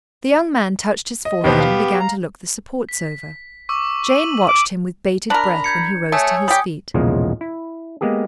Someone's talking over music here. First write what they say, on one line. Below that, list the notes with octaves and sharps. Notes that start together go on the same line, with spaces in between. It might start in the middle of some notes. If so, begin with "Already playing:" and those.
The young man touched his forehead and began to look the supports over. Jane watched him with bated breath when he rose to his feet.
D#5
D#2 B2 B3 G4 C5
F5
A#5
B6
C#6 D6 E6
E6 D#7 F#7
D6
D4 A#4 A#5 B5
G6 G#6 C#7
A3 C#5 G#5 D#6
G3 G4 D#6
B1 E2 A#2 C#3 F3 G#3
E4
G#3 A#3 B3 G4 G#4